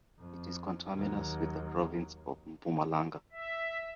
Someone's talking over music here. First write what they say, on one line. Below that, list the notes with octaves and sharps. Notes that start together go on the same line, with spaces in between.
It is conterminous with the province of Mpumalanga.
F2
D#2 F#3
E5